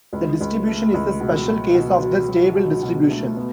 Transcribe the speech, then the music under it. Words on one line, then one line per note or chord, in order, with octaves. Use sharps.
The distribution is a special case of the stable distribution.
C#2
C#2
A3
C#2
B2
F#3
B2
F#3
F#3
F#3
B2
A3
B3